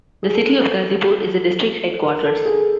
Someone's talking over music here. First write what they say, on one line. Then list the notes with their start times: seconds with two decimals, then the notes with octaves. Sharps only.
The city of Ghazipur is the district headquarters.
0.23 G#4
0.35 A4
2.04 A#4
2.25 A4
2.45 G#4